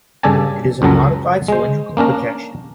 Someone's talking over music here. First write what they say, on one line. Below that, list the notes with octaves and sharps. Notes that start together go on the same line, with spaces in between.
It is a modified cylindrical projection.
G2 C#3 A4 D5 G#5 A5
C#2 F#2 F#3 A4 A#5
G#3 C5
A#3 C#4 D4 A#4